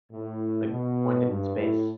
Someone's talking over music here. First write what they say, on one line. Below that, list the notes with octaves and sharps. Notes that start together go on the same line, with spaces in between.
the pointed in space,
A2
B2
G2
A2